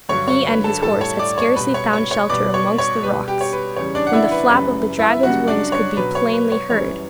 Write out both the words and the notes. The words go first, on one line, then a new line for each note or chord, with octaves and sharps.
He and his horse had scarcely found shelter amongst some rocks, when the flap of the dragon's wings could be plainly heard.
G2 D3 F#3 C#5 C#6
C#5 C#6
B4 B5
A4 A5
A2 G3 A4 A5
C#5 C#6
D5 D6
C#5 C#6
B2 G3 B4 B5
C#5 C#6
C#5 C#6
C#5 C#6
B2 G3 D5 D6
C#5 C#6
C#5 C#6
B2 G3 B4 B5
G4 G5
C#5
B4
E2 C#3 G3 C#5
D4 D5
F#5
E4 E5
B4
F#2 C#3 E3 G3 B4
E4 E5
F#2 C#3 G3 F#4 F#5
D4 D5
C#5
B2 F#3 B4
C#5
B4
C#5
F#2 E3 G3 C#5